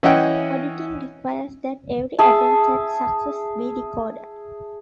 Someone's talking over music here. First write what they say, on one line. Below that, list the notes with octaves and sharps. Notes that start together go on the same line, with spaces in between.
Auditing requires that every attempt at access be recorded.
E3 C#4 D#5 E5 F#5 G5
G#4 E5 A5